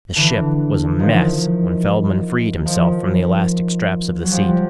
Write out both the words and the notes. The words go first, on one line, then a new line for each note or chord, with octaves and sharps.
The ship was a mess when Feldman freed himself from the elastic straps of the seat.
D3 E3
D#3 F3
D#3 F3
F#3
F3 G3